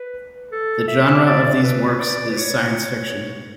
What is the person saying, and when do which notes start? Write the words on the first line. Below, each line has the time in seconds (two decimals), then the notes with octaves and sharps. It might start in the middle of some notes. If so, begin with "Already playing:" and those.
The genre of these works is science fiction.
Already playing: B4
0.52 A4
0.88 E5
1.26 D5
1.63 B4
1.99 D5
2.31 B4
2.37 C#5